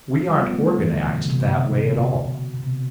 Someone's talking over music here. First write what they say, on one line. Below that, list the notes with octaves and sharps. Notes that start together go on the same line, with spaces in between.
We aren't organized that way at all.
F3
G3
B3
A3
G3
E3
D3
B2
C3
D3
C3
B2
C3
D3
B2
B2
B2
C3